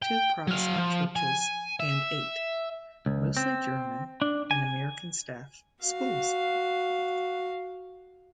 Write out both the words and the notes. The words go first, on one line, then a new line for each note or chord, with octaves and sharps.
Two Protestant churches and eight, mostly German- and American-staffed, schools.
G5
F#3 F5
F3
G#5
E5
C#2
C4
D4
G#5
F#4 F5